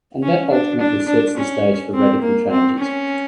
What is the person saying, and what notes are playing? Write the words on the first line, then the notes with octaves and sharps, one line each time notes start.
And that ultimately sets the stage for radical changes.
C#4
D4
D4
D4
C#4
C4
A#3
C4
C#4